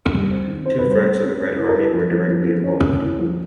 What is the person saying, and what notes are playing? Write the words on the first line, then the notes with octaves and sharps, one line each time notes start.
Two Fronts of the Red Army were directly involved.
G3
C4
D#3
C4 C5
B4
G3
C5
C4
C#4
C#4
E4
A#4
E4 B4
F3
F3
F3
F3
C#4
C#4
E4
F3